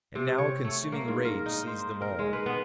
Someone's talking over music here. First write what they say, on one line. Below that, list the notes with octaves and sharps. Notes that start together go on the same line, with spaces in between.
And now a consuming rage seized them all.
C3
C#5
A3
A#3
G#2
A#4
D#4
C5
A#4
G#3
B4
B3